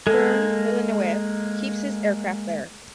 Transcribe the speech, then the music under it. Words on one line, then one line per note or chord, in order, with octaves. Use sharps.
Fern Villeneuve keeps his aircraft there.
G#3 A#3 A4